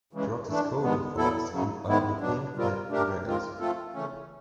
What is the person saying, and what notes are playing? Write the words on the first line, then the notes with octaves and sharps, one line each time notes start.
Porto's coat of arms, who are nicknamed "the dragons".
C#3 E3 G#3
E3 A3 D4
G2 D#3 G#3 B3
A#2 F#3 B3 E4 A4
F#2 C#3 F#3
G#2 D#3 G#3 B3 E4
E2 B2 F#3 B3 D4
B2 G3 C4 F4 A#4
A3 D4 G4 A#4
D#3 G#3 C4 F4 A#4
F3 A3 C4 F4 A4
C#3 E3 A3 C#4